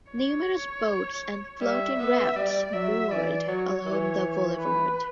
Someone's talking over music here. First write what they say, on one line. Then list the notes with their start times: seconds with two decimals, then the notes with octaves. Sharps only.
Numerous boats and floating rafts moored along the Boulevard.
0.12 C#5
1.61 G3 E5
1.98 B3 E5
2.36 G3 D5
2.73 F#3 E5
3.11 E3 D5
3.48 F#3 C#5
3.86 E3
4.60 B4